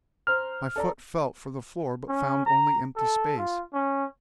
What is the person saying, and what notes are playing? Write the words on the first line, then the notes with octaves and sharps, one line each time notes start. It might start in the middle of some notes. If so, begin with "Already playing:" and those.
My foot felt for the floor but found only empty space.
C5 A#5 F6
A4 D5 A#5
C#4
A#5
A4
F4
C#4